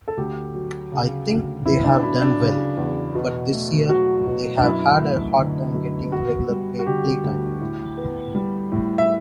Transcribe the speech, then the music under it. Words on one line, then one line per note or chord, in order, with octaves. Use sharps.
I think they have done well, but this year they have had a hard time getting regular playtime.
A4
D2 G4
F#3
C#3
D2
B3 E4
D4
F#3 E4
D4
C#3
E2
B2
A3
F#3 F#4
B2
D4
F#2 E4
A3
D3
F#2
B3 F#4
G3
F#4
D3 G4
D2
A2
B3
G3
A2
E5